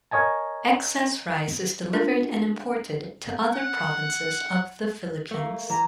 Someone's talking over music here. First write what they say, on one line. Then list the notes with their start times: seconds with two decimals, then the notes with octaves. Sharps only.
Excess rice is delivered and imported to other provinces of the Philippines.
0.11 A#4 C#5 D#5 G#5 A5
1.93 D4 F4 A#4
3.53 F#5
5.31 A3 A#3
5.70 E3 A#5